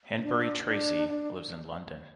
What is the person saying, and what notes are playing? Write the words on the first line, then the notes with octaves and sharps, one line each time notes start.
Hanbury-Tracy lives in London.
C#4
D4
D4
D4